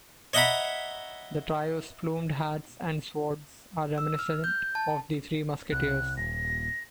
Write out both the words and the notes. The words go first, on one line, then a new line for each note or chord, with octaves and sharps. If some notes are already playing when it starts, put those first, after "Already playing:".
The trio's plumed hats and swords are reminiscent of the Three Musketeers.
C#5 D#5 E5 F#5 A#5 B5
E6
F6
G6
A5
C2 F#6
D#1 A#6